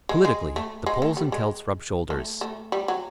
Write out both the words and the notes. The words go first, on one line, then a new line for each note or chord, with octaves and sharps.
Politically the Poles and Celts rub shoulders.
G#3
G#3
A3
G#3
A3
G3
G#3
A3
A3
G3
F#3